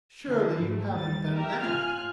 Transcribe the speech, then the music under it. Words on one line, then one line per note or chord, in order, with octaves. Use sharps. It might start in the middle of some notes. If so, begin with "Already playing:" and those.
"Surely you haven't done that?"
D3 E3
G#2 A3
D#2 G3 A6
G4 A#4 E5
A2 F4 G#5 F6 F#6